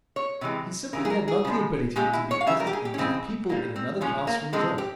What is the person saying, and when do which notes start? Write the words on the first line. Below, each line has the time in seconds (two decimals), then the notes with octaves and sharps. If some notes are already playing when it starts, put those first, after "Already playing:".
He simply had not the ability to be at his ease with people in another class from his own.
0.16 C#5
0.41 C3 E3 G#3
0.93 C#3 E3 G3 A#4
1.05 G#4
1.10 A#4
1.28 G#4
1.45 C#3 F3 G#3
1.96 A#2 G#3 G4
2.13 E4
2.31 C#5
2.41 F5
2.47 C#3 E5
2.51 G3
2.60 A#4
2.67 G4
2.73 G#4
2.85 G4
2.94 C#4
2.98 C#3 E3 G#3 C4
3.49 A#2 G3 A#3
3.76 C4
4.01 A#2 F3 G#3 C#4
4.27 A#3
4.53 C3 F3 G#3 C4
4.78 G4